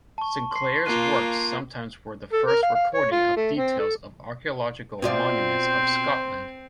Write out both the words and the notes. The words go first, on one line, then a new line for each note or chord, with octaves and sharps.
Sinclair's works sometimes were the first recording of details of archaeological monuments of Scotland.
A5 C#6
C6 C7
A#3 F4 F#6 D#7
A4
A#4
F5
F5
C#5
F4
A3
C4
A4
B2 C4 F4 C5 D5